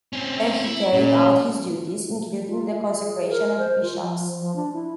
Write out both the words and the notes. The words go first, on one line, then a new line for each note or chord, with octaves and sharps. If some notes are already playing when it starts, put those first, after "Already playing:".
There he carried out his duties, including the consecration of bishops.
C4 C#4
E4
A#2 C#4
F4
E5
G#4
A#4
C5
F4
F3
F3
D4
E4